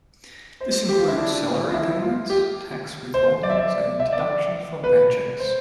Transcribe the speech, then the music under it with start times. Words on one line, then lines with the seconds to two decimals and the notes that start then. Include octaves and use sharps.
This includes salary payments, tax withholdings, and deductions from paychecks.
0.61 C5
0.89 G4
0.97 F4
1.08 E4
1.17 D4
1.69 F4
1.73 E4
2.02 F4
2.30 G4
3.14 C5
3.43 D5
3.50 E5
3.58 D5
4.00 E5
4.13 D5
4.84 B4
5.39 C5